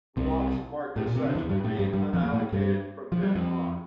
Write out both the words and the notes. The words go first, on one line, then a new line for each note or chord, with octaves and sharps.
Blocks marked as such remain unallocated from then on.
C2 C3
A2
A#2
C3
D3
E2 E3
G2 G3
A2 A3
G2 G3
G2 G3
F2 F3
A#3
A2 A3
G2 G3
F3
G3
F2 F3